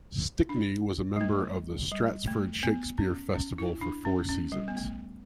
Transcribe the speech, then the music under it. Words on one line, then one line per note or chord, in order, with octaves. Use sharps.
Stickney was a member of the Stratford Shakespeare Festival for four seasons.
D4
G3
A3
G3
A3
B3
C#4
C#4
E4
D4
C#4
C#4
G3
B3
A3